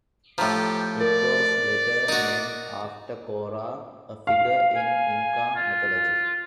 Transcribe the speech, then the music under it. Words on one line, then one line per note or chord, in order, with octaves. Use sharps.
It was later named after Cora, a figure in Inca mythology.
A2 F3 G4 A#5
A#4 D5
D#4 F#4
F5
G#5
F4